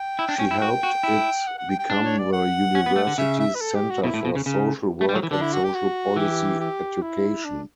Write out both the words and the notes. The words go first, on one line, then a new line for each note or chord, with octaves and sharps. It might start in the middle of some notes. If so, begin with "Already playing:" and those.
She helped it become the university's centre for social work and social policy education.
Already playing: G5
E4
D4
C#4
E4
F#4
F#4
E4
F#5
F#5
G5
G5
D4
C#5
D5
F#5
C#4
B3
A3
D3
C#3 E5
E5
B4
A4
G4
F#4
B2 E4
A2
B2
C#3
C#3
A3
G3
F#3
E3
D3 D4
E4
F#4
G4
F#4
E3 G4
G4
E4
D4